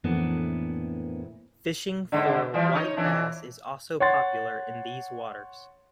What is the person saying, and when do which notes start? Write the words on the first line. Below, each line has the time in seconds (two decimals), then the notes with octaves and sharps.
Fishing for white bass is also popular in these waters.
0.04 F2 A2 E3 A#3 B3 D4
2.12 D#2 G#2 D3
2.54 E3 F3 G3
2.75 D#4 C#5 D#5
2.97 F2 E3 D4
4.00 C#5 F#5 C6 A6